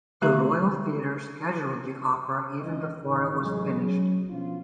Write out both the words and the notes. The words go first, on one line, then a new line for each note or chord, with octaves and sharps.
The Royal Theatre scheduled the opera even before it was finished.
D3 A3 G4 E5 A#5 C#6
C#2 E3 D#5
A1 D#3
A1 F#3 G#3 G#4
F#3 C#4
B2 F3 C#4 D4 F4